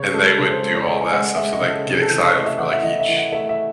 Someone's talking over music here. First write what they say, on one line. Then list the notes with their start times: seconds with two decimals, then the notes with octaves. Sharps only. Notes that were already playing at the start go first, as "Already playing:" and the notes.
And they would do all that stuff, so, like, get excited for, like, each
Already playing: C#3 C#5
0.14 G#3 A4
0.38 C#3 A4
0.50 C5
0.63 G#3 A4
0.75 C#5
0.87 G#3 D#5
1.01 G#5
1.11 G#3 F#5
1.36 G#3 E5
1.53 D#5
1.61 C#3
1.69 A4
1.85 C3
1.93 G#4
2.02 A4
2.10 E3
2.18 C#5
2.34 A3 D#5
2.46 E5
2.59 E3 F#5
2.71 E5
2.83 E3 D#5
3.00 E5
3.09 E3
3.16 F#5
3.33 A3 E5
3.49 E5